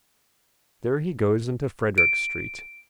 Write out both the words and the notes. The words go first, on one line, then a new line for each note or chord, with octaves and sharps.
There he goes into Frederick street.
D7